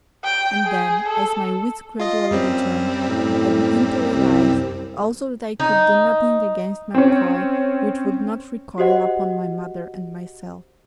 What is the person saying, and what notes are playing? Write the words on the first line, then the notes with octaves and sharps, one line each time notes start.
And then, as my wits gradually returned, I began to realize also that I could do nothing against MacCoy which would not recoil upon my mother and myself.
G5
G#4
A4
F4 D#5
F#2 G3 C4
A2
C2
D#4
C4 C#4
F#4 G4 C5 D#5 F#5